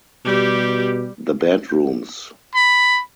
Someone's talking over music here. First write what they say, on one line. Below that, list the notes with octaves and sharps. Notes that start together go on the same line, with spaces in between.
The bedrooms.
B2 G3 G4
B5